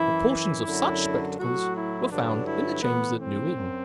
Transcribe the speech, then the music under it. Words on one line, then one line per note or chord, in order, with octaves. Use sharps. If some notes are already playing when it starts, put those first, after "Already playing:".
But portions of such spectacles were found in the chambers at New Inn.
Already playing: F#2 E3 E4
E4
F#2 D3 F#3
A2 F#3 F#4
E4
G2 D3 F#3 D4
E4
A2 E3 B3
C4
F#2